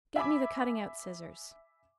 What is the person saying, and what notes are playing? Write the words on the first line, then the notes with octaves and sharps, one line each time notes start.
Get me the cutting-out scissors.'
E5 G#5 B5 D6